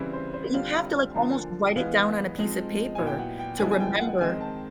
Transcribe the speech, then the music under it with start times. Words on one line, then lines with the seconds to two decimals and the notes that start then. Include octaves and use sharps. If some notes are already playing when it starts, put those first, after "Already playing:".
But you have to, like, almost write it down on a piece of paper to remember
Already playing: C#3 E3 G3 C4 E4
0.13 C5
0.34 C5
0.54 D3 G3 C4 F4 F5
1.15 D3 F3 A#3
1.76 E3 G#3 B3 F5
2.37 F3 G#3 C4 D#4
2.95 A#2 F#3 B3 E4 G#5
3.07 G5
3.19 F#5
3.39 G5
3.59 D3 F3 G#3 B3 E4 G#5
3.71 G#5
3.80 G5
4.00 F#5
4.21 D#3 G#3 C4 G#5
4.40 A5